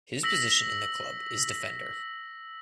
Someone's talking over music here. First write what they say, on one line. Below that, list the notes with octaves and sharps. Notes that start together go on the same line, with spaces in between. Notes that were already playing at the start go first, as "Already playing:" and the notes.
His position in the club is defender.
E6 A#6 B6 F#7